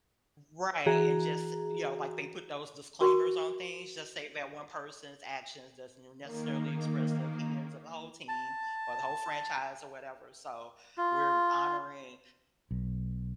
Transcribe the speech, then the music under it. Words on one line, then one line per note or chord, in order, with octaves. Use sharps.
Right. And just you know, like, they put those disclaimers on things, just say that one person's actions doesn't necessarily express the opinions of the whole team or the whole franchise or whatever, so we're honoring,
E3 F#4 G#4 A#5
F#4 A#4 C#6
D#3 A#3
A5
F4
B1